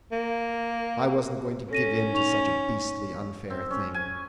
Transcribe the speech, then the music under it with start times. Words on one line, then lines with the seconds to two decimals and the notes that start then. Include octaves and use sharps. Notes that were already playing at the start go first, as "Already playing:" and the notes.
I wasn't going to give in to such a beastly unfair thing.
0.12 A#3
1.71 C#4 A4 A#6 D#7
2.13 D#4 C#6 F7
3.50 C4
3.71 C#4
3.94 G#5